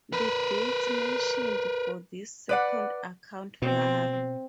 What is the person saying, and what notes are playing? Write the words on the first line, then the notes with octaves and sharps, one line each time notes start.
The dates mentioned for this second account vary.
A#4 B4
B4 D5 F#5
B2 C4